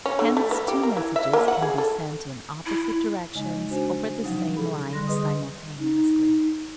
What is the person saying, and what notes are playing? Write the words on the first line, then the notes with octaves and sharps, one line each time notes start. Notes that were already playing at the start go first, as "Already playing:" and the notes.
Hence, two messages can be sent in opposite directions over the same line simultaneously.
C#4
D3
A3
B3
G4
A#3
E3
E5
A#3
F#5
G#4
A4
E4
C#3 G#3 D#4 D#5 G#5
D4 F#4 C5 G#5
C3 F3 F#3 C#4 D#4
G#4 A4 B5
D3 G3 C6 A#6
G#4 B4 D#5 C6 D#6
D#4